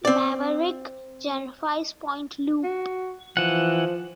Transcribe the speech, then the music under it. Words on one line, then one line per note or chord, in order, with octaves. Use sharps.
Maverick - Jeffries Point Loop.
C4 D5
F#4
E3 F3 F#5